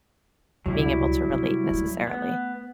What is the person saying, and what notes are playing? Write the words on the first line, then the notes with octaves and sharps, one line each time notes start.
being able to relate necessarily.
F1 C#2 F#3 G3 E4
C3
A3 C#4
B3